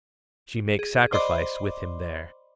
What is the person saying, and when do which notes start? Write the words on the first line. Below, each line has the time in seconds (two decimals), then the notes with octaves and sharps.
She makes sacrifice with him there.
0.79 G#4
1.13 C5 D5 D#5 B5 C6 D6